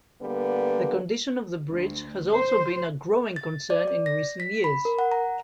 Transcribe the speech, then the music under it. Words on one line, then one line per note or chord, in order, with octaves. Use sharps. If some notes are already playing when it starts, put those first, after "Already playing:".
The condition of the bridge has also been a growing concern in recent years.
D3 G3 A#3 B3 B4
D2
C5
A6
D5
D5
A#6
B6
B5
A#4
F#5
A#5